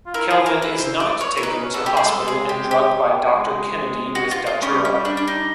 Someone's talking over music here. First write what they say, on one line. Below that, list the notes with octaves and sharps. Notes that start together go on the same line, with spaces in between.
Kelvin is not taken to hospital and drugged by Doctor Kennedy with Datura.
F4
E4 A#4
G#4
A#4
B4
C5
D5
C#5
E4 A#4
D#4 B4
C#4
B3 A4
G4
G3
G#4
G#3 A4
G#4
G4
G4
G#3
F#4
F4
F4
G#3
G3 C#4
C#4
D4
D4
D#4